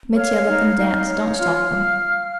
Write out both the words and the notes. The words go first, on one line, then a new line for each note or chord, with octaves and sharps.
Mitya, let them dance, don't stop them.
C#5 F5 F6
D#4
D#4
C#5
F4 F5 F6